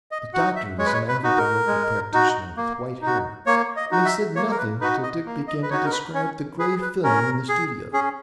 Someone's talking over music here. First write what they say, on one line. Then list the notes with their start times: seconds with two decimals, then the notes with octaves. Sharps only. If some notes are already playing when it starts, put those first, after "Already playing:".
The doctor was an affable local practitioner with white hair, and he said nothing till Dick began to describe the gray film in the studio.
0.11 D#5
0.34 F#4 F#5
0.37 D#4
0.56 E5
0.78 G#3 C#5
0.86 B4
0.94 C#5
1.08 B4
1.23 D#4 F#4
1.38 A#4
1.67 G#3
2.13 D#4 F#4
2.57 A#3
3.02 D#4 F#4
3.46 A#3 C#5
3.76 D#5
3.91 D#4 F#4
4.05 E5
4.36 A#3 C#5
4.51 A#4
4.58 B4
4.81 D#4 F#4 B4
5.03 D#5
5.26 A#3
5.48 D#5
5.63 B4
5.70 D#4 F#4 C#5
5.86 A#4
5.92 B4
6.14 C#4 C#5
6.59 G#4 B4
6.82 B4
7.04 C#4 A#4
7.49 G#4
7.93 C#4 G#4